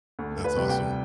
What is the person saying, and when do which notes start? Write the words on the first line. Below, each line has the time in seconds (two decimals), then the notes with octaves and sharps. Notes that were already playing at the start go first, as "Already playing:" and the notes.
That's awesome.
0.19 D2
0.44 B4
0.57 C3 G3
0.69 G5